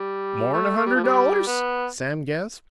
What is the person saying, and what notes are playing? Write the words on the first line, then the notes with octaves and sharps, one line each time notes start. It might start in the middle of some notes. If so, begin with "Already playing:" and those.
"More'n a hunderd DOLLARS?" Sam gasped.
Already playing: G3
A3
A3
G3
F3
G3
B3